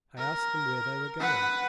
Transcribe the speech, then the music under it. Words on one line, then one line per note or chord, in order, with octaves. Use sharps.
I asked them where they were going.
A#4
B4 F#5